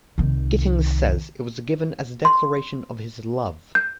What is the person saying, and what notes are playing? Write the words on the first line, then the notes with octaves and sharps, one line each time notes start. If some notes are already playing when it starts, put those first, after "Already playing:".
Gittings says it was given as a declaration of his love.
C2 D#3
C6
G6